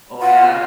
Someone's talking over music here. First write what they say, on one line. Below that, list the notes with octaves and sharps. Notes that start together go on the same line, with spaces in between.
Oh, yeah.
F4 F#5
F4